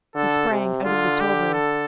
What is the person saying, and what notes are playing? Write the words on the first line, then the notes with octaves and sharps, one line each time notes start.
He sprang out of the tilbury.
D3 A4
C3
D3 F4
G4
A4